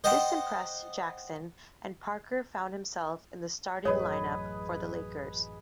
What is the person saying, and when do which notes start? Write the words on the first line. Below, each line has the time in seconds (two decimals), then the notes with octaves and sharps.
This impressed Jackson, and Parker found himself in the starting line-up for the Lakers.
0.04 C5 D#5 F#5 G5 A5
3.85 A1 F#2 F#3 G#4 B4 C#5 D#5